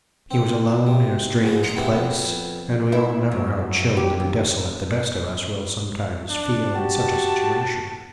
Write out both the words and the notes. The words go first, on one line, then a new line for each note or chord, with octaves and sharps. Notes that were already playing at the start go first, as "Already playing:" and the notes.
He was alone in a strange place; and we all know how chilled and desolate the best of us will sometimes feel in such a situation.
C4
C3
G#2 G#3 D#4
G#4 A#5 C6
C3 B3 E4
F2 B3
E4
F#2
G4
D#2
D4
F#4 G4 A5